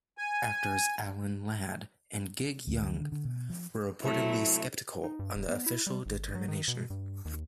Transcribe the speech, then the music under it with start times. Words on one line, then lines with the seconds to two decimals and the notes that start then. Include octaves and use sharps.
Actors Alan Ladd and Gig Young were reportedly skeptical of the official determination.
0.18 G#5
2.67 D2
2.81 D2
3.00 D3
3.12 D3
3.25 B2
3.49 F3
4.03 C3 F#3 A3 E4
5.04 D#4
5.19 G2
5.36 E1
5.49 B3
5.66 E4
5.87 G3
6.06 G#1
6.35 F#3
6.48 D#3
6.68 B2
6.90 G2
7.25 D#2